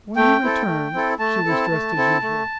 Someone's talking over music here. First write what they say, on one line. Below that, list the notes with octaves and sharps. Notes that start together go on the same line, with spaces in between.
When he returned she was dressed as usual.
A3 G5
C4 E4 A4
A3
C4 E4 A4
A3 A5
C4 E4 A4
A3
C4 E4 A4
A3